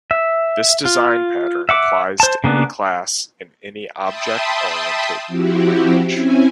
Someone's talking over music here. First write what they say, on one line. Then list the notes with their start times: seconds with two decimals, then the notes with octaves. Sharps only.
This design pattern applies to any class in any object oriented language.
0.11 E5
0.85 F4
1.69 E5 F#5 D6
2.20 C5 A5
2.44 C#3 A#3 B3 D4
4.00 E5 G5 A5 B5 C6 D#6
5.28 F3 C4 E4 F#4 G4
6.08 C4 C#4 E4 G#5